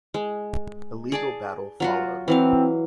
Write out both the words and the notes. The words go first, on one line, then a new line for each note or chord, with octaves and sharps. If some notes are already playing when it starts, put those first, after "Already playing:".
A legal battle followed.
G#3
G#4 D5 A5
F#3 F4 F#4
E3 F#3 C4 F5